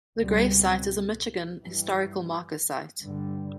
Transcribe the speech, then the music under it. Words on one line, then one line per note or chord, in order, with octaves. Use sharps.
The grave site is a Michigan historical marker site.
C#2 B2 G3 C4
G2 E3 G3
G2 D3 G3